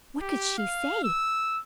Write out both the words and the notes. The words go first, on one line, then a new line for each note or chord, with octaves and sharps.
What could she say?
G4
F5
E6